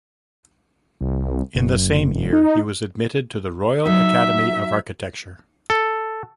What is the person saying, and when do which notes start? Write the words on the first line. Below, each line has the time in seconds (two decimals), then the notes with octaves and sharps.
In the same year, he was admitted to the Royal Academy of Architecture.
1.01 C2
1.55 F#1
2.15 E1
2.33 D#4
3.86 F#3 D#4 E5
5.70 A4